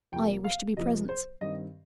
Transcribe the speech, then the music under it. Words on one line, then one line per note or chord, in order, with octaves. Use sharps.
"I wish to be present."
F2 C3 F3 A#3 G5
F5
F2 C3 F3 A#3 D#5
C5
G2 D#3 C4 D#5